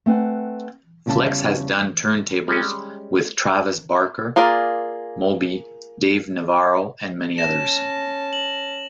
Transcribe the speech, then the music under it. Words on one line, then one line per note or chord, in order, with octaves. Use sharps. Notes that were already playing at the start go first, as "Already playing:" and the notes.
Flex has done turntables with Travis Barker, Moby, Dave Navarro and many others.
A3 C4 B4 F#5 G#5
E2 C#3 G3 G5 A5
G3 G#3 C#4
A#3 F4 G#4 A#4 D5
C#4 A5 A#6 E7
F#7